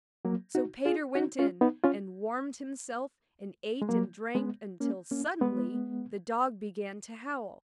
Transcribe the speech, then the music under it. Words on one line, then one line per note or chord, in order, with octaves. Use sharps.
So Peter went in and warmed himself and ate and drank, till suddenly the dog began to howl.
F#3 A#3
D#4 F#4
F4 G#4
D#4 F#4
C#4 F4
B3 D#4
C#4 F4
G#3
F#3 A#3
G#3 B3
A#3 C#4
A#3 C#4
G#3 B3